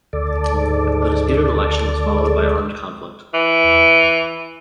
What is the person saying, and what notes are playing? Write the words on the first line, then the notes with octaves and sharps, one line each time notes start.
The disputed election was followed by armed conflict.
D2 A4 D5
G#2
G#3
E3